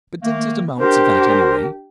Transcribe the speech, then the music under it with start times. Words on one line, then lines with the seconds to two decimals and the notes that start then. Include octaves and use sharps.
"But didn't it amount to that anyway?"
0.22 D#3 A3 A#3
0.80 D4 G4 A#4 C5